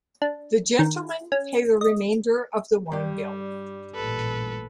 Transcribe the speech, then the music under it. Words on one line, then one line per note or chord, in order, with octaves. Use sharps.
The gentlemen pay the remainder of the wine bill.
D4
D#3
C#4
D#5
G2 G3 G4
A1 A#2 A4 B4